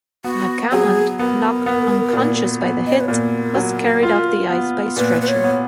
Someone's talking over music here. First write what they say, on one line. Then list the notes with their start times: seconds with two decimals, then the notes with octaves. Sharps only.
McAmmond, knocked unconscious by the hit, was carried off the ice by stretcher.
0.24 B3 F#4
0.72 F#3 G#4
1.19 B3 A#4
1.66 B3
2.13 A#2
2.61 B3
2.87 D#5
2.93 C#5
3.00 B4
3.08 A#2 A#4
3.55 F#3
4.03 F4
4.50 B3
4.96 A#2 B4
5.21 B4
5.28 C#5
5.44 B3